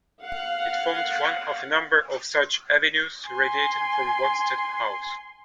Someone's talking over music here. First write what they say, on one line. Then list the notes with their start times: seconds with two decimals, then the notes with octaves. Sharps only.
It formed one of a number of such avenues radiating from Wanstead House.
0.23 F5 F#5
3.29 G#5 C6